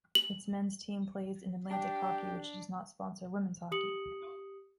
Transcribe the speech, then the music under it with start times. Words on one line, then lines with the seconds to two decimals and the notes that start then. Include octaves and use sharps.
Its men's team plays in Atlantic Hockey, which does not sponsor women's hockey.
0.15 F#7
1.71 D4 G4 G5
3.72 G4 D#6 C#7 F#7